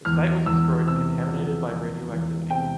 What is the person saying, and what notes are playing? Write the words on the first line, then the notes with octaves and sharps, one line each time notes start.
The site was destroyed and contaminated by radioactivity.
E2 F6
E2 E6
C3 E6
F3
E2
E2
C3 G5